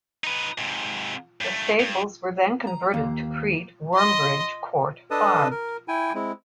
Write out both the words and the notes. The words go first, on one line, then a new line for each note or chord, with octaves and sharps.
The stables were then converted to create Wormbridge Court Farm.
D#4 B4
G#2 C3
G2 A3
G2
A#5
D#2 A#3
D#5 C6
D4 A4 B4 D#5 A5 D#6
A#4
E4 G5 G#5
G#3 C4 E4